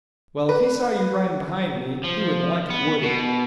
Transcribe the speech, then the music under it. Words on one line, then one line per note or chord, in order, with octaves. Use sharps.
"Well, if he saw you riding behind me, he wouldn't like it, would he?"
B4
F3
B3
B2